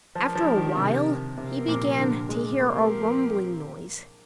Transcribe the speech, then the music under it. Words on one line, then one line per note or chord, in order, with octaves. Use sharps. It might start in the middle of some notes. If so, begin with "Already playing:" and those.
After a while he began to hear a rumbling noise.
F3 G#3 D4 G4 A#4
F3
D#3
C3
C3 F3 C4 G4 A#4
A#2
D3
G#3
F3 A#3 C4 G4 A#4